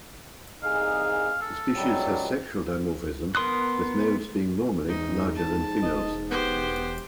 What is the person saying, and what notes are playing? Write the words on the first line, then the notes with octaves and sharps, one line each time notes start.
The species has sexual dimorphism, with males being normally larger than females.
C2 D#4 G#4 F5
A4
C#2 F#3 G3
B3 A#4 C6 D#6 F#6
E2 G#2 D#4
A5
E1 D#5
B3 G4 C5